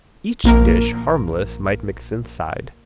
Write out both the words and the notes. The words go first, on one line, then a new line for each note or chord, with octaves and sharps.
Each dish harmless might mix inside.
A#1 A#3 A#4